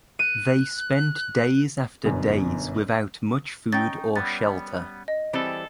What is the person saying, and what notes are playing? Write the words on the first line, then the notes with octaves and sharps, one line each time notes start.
They spent days after days without much food or shelter.
F#6 D#7
G1 F#2 B2
C#4 D#4 G5 A6
G3 B3 A6
D#5
E3 G3 C4 G#4 A4